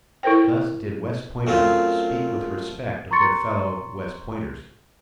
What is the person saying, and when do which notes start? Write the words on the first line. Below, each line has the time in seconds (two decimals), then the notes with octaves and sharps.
Thus did West Pointers speak with respect of their fellow West Pointers.
0.23 E4 A4 A#4 C5 G5
1.47 F#2 A3 C4 F4
3.11 A#5 C6 C#6 A6 C#7